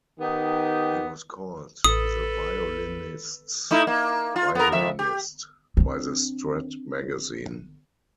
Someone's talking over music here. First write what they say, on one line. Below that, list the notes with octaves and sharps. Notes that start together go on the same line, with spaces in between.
He was called "The Violinists' Violinist" by the Strad Magazine.
D#3 B3 D#4 G4
A1 A4 B4 D#6
A3 D#4 E4
A#3
F4
B3 A#4
F2 E5
G4
C4 D4